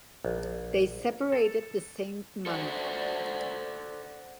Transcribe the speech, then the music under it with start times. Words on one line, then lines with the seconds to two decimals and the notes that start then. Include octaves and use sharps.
They separated the same month.
0.25 A#1
1.32 A4
2.46 A4 C5 D5 E5 F#5